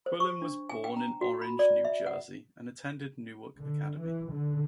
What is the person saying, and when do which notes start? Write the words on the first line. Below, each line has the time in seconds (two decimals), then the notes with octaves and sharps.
Quillen was born in Orange, New Jersey, and attended Newark Academy.
0.06 C5
0.20 C#6
0.42 D4
0.69 G#5
0.84 G5
0.96 A#5
1.21 F#4
1.41 B5
1.59 D5
1.85 E5
2.06 F#5
3.59 D3
3.99 E3
4.33 D3